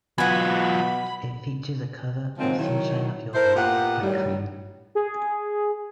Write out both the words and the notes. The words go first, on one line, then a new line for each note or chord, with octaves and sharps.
It features a cover of "Sunshine Of Your Love" by Cream.
B2 F#3 F4 F#5 G#5 B5
D#3 F3 F#3 G#3 A#3 C4
D#3 F#3 E4
E4 A4 A#4 C5
A#2 A#3 B3 G4 F#5
A2 D#3 F#3 G3
G#4